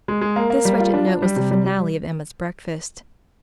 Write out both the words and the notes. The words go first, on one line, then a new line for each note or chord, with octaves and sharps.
This wretched note was the finale of Emma's breakfast.
G#3
G#3
A#3
A#3
G3
F4
D4
D4
G3
C3
G3
G3